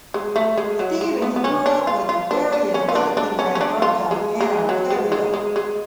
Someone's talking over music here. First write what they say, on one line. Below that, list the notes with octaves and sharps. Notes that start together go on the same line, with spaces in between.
Stevens grew up with various relatives in Alberta and Ontario.
G#3
A3
G#3
F#3
G#3
B3
B3
C#4
D4
F4
F4
D4
D4
C#4
F4
D4
D4
C#4
C#4
D4
F4
G#3
G#3
F#3
G#3
G#3
G#3
G#3